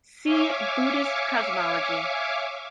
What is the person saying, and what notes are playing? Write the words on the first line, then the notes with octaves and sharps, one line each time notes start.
See "Buddhist cosmology".
C#5 E5 F5 G#5 C#6 D6